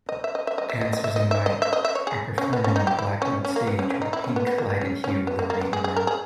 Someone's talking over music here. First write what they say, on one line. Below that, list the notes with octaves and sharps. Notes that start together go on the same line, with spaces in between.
Dancers in white are performing on a blacked out stage with a pink lighted hue illuminating them.
D#5
E5
D#5
E5
D#5
E5
D#5
D#5
E5
D#5
E5
D#5
E5
D#5
E5
C#5
G#4
C#4
B3
C#4
D#4
G4
E4
C#4
C#4
A#3
B3
C#4
C#4
D#4
E4
C#4
B3
B3
A#3
B3
C#4
C#4
B3
A#3
A#3
B3
G#4
G#4
A#4
G#4